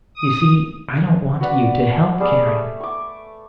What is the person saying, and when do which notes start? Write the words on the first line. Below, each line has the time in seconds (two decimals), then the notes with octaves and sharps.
"You see--I don't want you to help caring."
0.14 D#6
1.41 F#4 B4 D5 F#5
2.20 G3 G#4 A5 D6
2.47 A3
2.80 C#6 D6